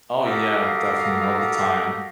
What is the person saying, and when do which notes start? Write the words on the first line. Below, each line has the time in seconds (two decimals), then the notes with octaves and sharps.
Oh yeah, definitely all the time,
0.25 F#4 G4 A4 A#4 D#5 F5